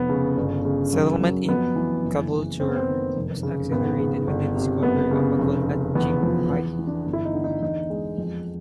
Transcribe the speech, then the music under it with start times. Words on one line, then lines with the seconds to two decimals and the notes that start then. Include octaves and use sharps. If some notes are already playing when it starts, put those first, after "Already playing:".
Settlement in Caboolture was accelerated with the discovery of gold at Gympie.
Already playing: F1 B3
0.09 C#3
0.37 G1
0.65 C#3
0.92 F#2
1.20 F#3
1.49 F2 B3
1.76 E3
2.04 F#1
2.33 C#3
2.60 F#1 C4
2.68 B3
2.76 C4
2.87 D#3
3.16 F1
3.43 C#3
3.71 G#1 B3
4.00 C#3
4.27 G1
4.56 C3
4.83 F#1 B3
5.11 C#3
5.39 F1
5.67 C#3
5.95 E2 B3
6.23 F3
6.50 E2 B3
6.79 E3
6.87 D4
7.06 G1
7.13 E4
7.25 D#4
7.34 D3
7.44 D#4
7.62 E2 D#4
7.90 G#3
8.18 F2